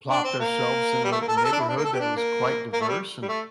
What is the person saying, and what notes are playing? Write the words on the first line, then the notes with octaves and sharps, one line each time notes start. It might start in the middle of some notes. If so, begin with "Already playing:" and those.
plopped ourselves in a a neighborhood that was quite diverse, and
D4
C4
A#3
G3
A3
A#3
A4
A#4
A4
D4
E4
D4
A#3
A4
G4
D4
A#3
A#3
A3
G3
G3
A3